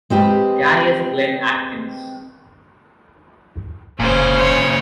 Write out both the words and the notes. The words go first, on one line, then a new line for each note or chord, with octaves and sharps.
Gaius Glenn Atkins.
G#3 C4 G4 B4
F1 A#2 C#3 C#4 C5
C#5